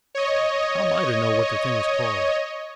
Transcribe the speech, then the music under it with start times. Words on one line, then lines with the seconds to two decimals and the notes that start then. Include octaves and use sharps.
'How am I to know what the thing's called?
0.15 C#5 D#5